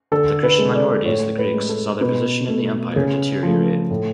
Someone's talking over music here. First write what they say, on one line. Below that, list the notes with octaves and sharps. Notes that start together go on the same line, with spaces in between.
The Christian minorities, the Greeks, saw their position in the Empire deteriorate.
D3 A4
B4
G#3
D5
A2 C#5
B4
G#3
A4
B2 B4
A3
C#3
F3 A3
A2